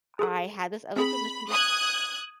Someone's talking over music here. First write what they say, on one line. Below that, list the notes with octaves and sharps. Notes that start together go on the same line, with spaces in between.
I had this other position just
G#4 A4
C4 G#4 B5
D#6 F#6 G#6